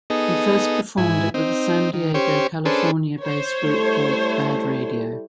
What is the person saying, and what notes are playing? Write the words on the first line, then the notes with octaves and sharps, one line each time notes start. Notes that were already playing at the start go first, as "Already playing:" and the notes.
He first performed it with a San Diego, California-based group called Bad Radio.
B3 D#4 G#4 A4 D#5
G#2 E4 G#5
C4 D#4
D#3
C#4 G4 C5 C#5
C#4 D4 G#4 A4 B4 C5
C5 C#5
G3 A3 E4 A4